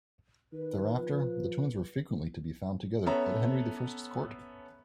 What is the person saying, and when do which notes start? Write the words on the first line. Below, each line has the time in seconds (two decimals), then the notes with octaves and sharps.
Thereafter the twins were frequently to be found together at Henry the First's court.
0.52 D#3 B4
0.97 F3
3.06 B3 C#4 A4 C#5 E5 A#5